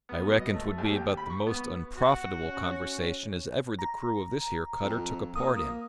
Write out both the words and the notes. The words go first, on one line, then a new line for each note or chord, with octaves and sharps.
I reckon 'twould be about the most onprofitable conwersation as ever the crew of this here cutter took a part in.
B3
F#3
D#5
A3
D#2
G5
B5
C#6
B3
F#4
C#4
A#5
F2
A#3 D#6